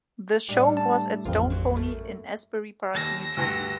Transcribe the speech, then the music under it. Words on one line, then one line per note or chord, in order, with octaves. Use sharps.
The show was at Stone Pony in Asbury Park, New Jersey.
A2 G3 D4
A5
A1 F2 F4
F#3 C4
F#2 A3
D#2 E6 A#6
D2 G2